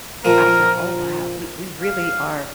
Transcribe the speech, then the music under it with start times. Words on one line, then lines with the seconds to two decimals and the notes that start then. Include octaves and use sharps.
I said, "Oh, wow. We we really are"
0.25 A#2 F3 A#3 A#4
1.80 F5